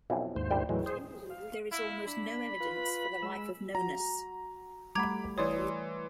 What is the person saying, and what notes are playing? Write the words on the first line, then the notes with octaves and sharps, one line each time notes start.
There is almost no evidence for the life of Nonnus.
B1 F2 E3
D#2 G#2 C5
A#1 G3 G5
A2 E3 F#3 G#3
G#4 C5
F5
E4 F5
D4 B5
F4 B4
G#3 E6
F#4 A#5
G3 A3 F#5 A#5 B5 D6 G#6
E3 C#5 D5 C6 D#6